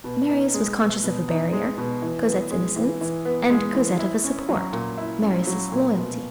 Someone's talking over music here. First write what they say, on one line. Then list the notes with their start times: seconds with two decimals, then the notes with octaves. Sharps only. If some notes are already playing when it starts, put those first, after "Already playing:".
Marius was conscious of a barrier, Cosette's innocence; and Cosette of a support, Marius' loyalty.
0.04 B2
0.29 D#4
0.54 G#3
0.79 B2
1.03 B2
1.28 D#4
1.52 G#3
1.78 B2
2.02 E3
2.27 B3
2.51 G#3
2.76 E3
3.01 E3
3.25 B3
3.50 G#3
3.75 E3
3.99 E4
4.24 C#4
4.49 F#3
4.73 A#2
4.97 E4
5.22 C#4
5.47 F#3
5.72 A#2
5.96 B2